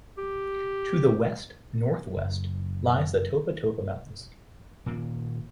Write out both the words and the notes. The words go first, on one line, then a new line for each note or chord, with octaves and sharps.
To the west-northwest lies the Topatopa Mountains.
G4
F#1
A#2 D#3 A#3